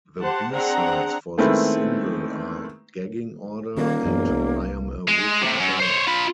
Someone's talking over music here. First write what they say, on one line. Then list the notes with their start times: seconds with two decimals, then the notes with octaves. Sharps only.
The B-sides for this single are "Gagging Order" and "I Am a Wicked Child".
0.21 G4 C5 F#5 A5
0.52 C4 D4 G#4 F#5 A#5
1.38 D#3 G#3 A3 B3 C4 E4
3.77 D#1 D#3 A#3
4.05 E1 F#2 E3
4.29 C2
5.08 G#3
5.42 A2 C3
5.60 F#2
5.80 C5 C#5
6.07 F4 B5